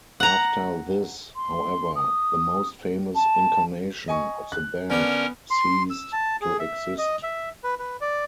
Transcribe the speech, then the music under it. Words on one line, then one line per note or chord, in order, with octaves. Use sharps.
After this, however, the most famous incarnation of the band ceased to exist.
F#5 A#5
C6
D#6
A5
D#5 G#5 C#6
F#6
D3 B3 C#4 D4 A#4 B4
C6
E6
A5
G#4
E5
D#5
E5
B4
B4
D5